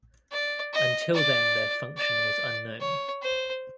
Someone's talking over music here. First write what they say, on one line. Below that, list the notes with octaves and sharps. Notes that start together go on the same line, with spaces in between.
Until then their function was unknown.
D5
D#5
D5
D5
C#5
C5